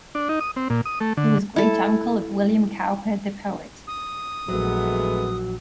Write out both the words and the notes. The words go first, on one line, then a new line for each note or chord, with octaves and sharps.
He was great uncle of William Cowper, the poet.
D4
D#4
D#6
C4
A#2
D#6
A3
D3
E4 A4
D#6
A#1 F#3 G#3 A3 B3